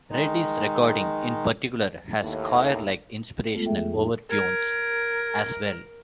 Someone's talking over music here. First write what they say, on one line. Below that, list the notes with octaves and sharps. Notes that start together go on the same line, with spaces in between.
Reddy's recording in particular has choir-like inspirational overtones as well.
D#3 G#3 D#4
D#2 A2
G#3 A3 B3 F4 A4
F2 F3 F4 G#4 E5 G5
D#4
A#4 G#6